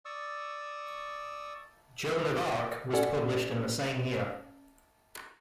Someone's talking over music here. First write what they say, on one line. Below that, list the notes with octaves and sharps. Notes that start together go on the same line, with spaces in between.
"Joan of Arc" was published in the same year.
D5 C#6 D#6 E6
C#4 A4 D5 F#5